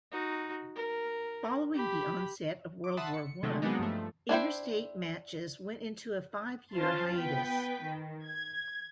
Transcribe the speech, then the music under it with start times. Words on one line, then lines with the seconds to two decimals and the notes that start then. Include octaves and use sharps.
Following the onset of World War One interstate matches went into a five-year hiatus.
0.12 D#4 F#4
0.76 A#4
1.74 G4 B5
2.84 D6
2.97 E5 F#5 A5 B5 C6 D#6
3.14 C#7
3.43 C3 D#3 F#3 G#3 A3
3.62 F#3 G#3 A#3 B3 D4 D#4
3.79 G2 F3 A3
4.29 D4 E4 C5 G5
6.73 C#4 F4 C5 A5 C6
7.18 B3 B4 G5 B6
7.85 D#3
8.25 G#6